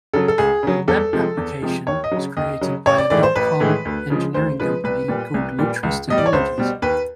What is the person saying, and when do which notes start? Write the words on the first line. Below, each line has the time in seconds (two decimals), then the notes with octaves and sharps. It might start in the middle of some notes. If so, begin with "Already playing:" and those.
The web application was created by a dot com engineering company called Lutris Technologies.
0.13 C#3 F#3 A4
0.28 A4
0.38 C#2 G#4
0.63 C#3 F#3
0.88 E2 A4
1.13 C3 F3 G#3
1.37 E2
1.62 C3 F3 G#3
1.87 D#2 C#5
2.04 D#5
2.11 C#3 F#3
2.37 D#2 D#5
2.61 C#3 F#3
2.86 A1 C#5
2.98 D5
3.10 A2 E3 G#3 D5
3.23 C5
3.36 A1 B4
3.60 A2 E3 G#3
3.85 D2
4.10 C#3 F3 G#3
4.34 D2 C5
4.60 C#3 F3 G#3 B4
4.84 C2 B4
5.08 A#2 G3
5.34 C2
5.59 A#2 G3
5.83 C#2
6.08 B2 G3 D#5
6.18 D5
6.26 C#5
6.33 C#2 C5
6.58 B2 G3
6.82 D#2 B4